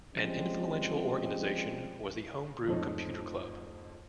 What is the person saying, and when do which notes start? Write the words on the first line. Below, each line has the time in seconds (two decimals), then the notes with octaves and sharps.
An influential organization was the Homebrew Computer Club.
0.15 F3 G3 G#3 C4 C#4
2.67 F2 G#2 F3 A3 C#4 D#4